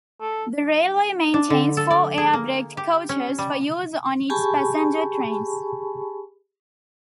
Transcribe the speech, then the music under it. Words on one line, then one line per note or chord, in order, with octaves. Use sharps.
The railway maintains four air-braked coaches for use on its passenger trains.
A4
D4
D3
A4
D5
G#4
A#3
G4
C#4
G3
G4 G#4 G#5 A5 B5 C#6